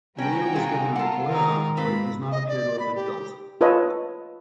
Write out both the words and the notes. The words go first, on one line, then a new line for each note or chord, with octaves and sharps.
Lear was given a Polara but it does not appear to have been built.
G3 C#4 F#4 B4 G5 G#5 A#5
C3 F4 G#4
F4 A4 A#4 F#5
D#3 D#4 A#4
G#2 G#3 C4 F4 B4 B5
D#5
D5
B5
G4
F4 A4 B4 C#5 D#5